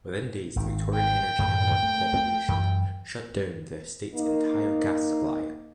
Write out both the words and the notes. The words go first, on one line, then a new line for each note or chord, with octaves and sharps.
Within days, the Victorian Energy Network Corporation shut down the state's entire gas supply.
G#1 D#3
G5
F#2 A2 D#3
A3
F#2 E3
A#3 D#4